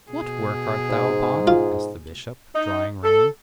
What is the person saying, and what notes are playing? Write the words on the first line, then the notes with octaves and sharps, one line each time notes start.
'What work art thou upon?' asked the bishop, drawing rein.
B2 G#4
G#2
F4
D#4
A4